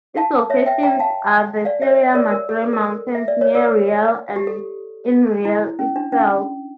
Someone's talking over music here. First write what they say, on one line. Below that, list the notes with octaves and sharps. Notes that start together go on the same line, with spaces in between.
Its locations are the Sierra Madre mountains near Real and in Real itself.
F5 A5
C#5 E5
E5 G5
G5 A#5
F5 A5
D5 F5
C#5 E5
A#4 D5
A#4
A4
A4
A#4
E5
D5
C#5
A#4 D5
G4
A4
E4
C#4
D4
C#4